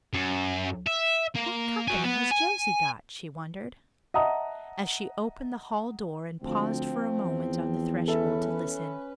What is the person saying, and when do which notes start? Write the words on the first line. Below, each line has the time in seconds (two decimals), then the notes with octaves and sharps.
"What company has Josie got?" she wondered, as she opened the hall door and paused for a moment on the threshold to listen.
0.14 F#2
0.87 E5
1.35 A#3
1.88 F#4 G#5
2.04 B3
2.31 G#5
4.14 D#5 E5 F#5 A5 A#5 D#6
6.42 D2 F3 C4
7.22 E2
8.08 C#4 A4 B4 E5